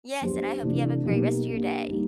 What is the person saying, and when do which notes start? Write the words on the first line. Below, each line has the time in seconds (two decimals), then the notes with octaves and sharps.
yes, and I hope you have a great rest of your day.
0.22 F#3 B3 D4 G4 C5
0.63 C3 E3 A3 D4
1.05 B2 F#3 A#3 D#4 G4
1.47 A#3 D4 G4
1.89 G3 A#3 D#4